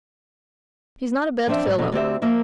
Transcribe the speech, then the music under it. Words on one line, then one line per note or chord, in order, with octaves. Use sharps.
He's not a bad fellow.
F3 C4 D4 C5 E5
G#2
B2 D3 F#3
D2 C4 G4 E5
F3 A#3 A#4 E5